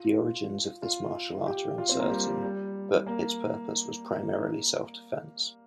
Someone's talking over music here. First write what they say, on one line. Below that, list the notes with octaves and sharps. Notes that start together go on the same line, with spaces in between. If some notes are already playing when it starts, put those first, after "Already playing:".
The origins of this martial art are uncertain, but its purpose was primarily self-defence.
Already playing: F4
F4
F4
G4
F4
C4
A#3
G3
G3
G3
A#3